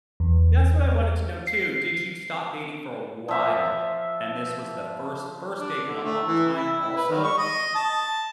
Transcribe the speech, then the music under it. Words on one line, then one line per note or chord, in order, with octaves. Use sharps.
That's what I wanted to know too. Did you stop dating for a while, and this was the first first date in a long time also? Wou
E2
C7
F3 E5
D4
D3
A3
E3
E4
E4
B4
D#3
C#6
D#5
A5